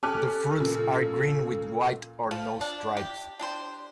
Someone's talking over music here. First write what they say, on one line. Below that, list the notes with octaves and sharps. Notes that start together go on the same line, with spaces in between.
The fruits are green with white or no stripes.
C#4 G4 A4 G#5 A5 D6 F6 F#6
A#2 C#3 F3
F3
D4
G4
D4 G4 C5